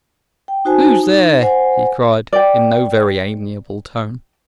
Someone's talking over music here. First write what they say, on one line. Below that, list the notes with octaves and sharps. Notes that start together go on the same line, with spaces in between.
"Who's there?" he cried, in no very amiable tone.
G5
D#4 F#4 C5 G#5 A5
D#4
C5 F#5 G#5
D5 G5